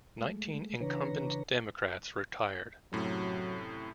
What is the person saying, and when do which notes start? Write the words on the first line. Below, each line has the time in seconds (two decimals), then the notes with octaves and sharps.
Nineteen incumbent Democrats retired.
0.20 G#3 A3
0.81 C#3 E3 D4 B4 C#5 A#5
2.93 F#2 A2 C3 F#3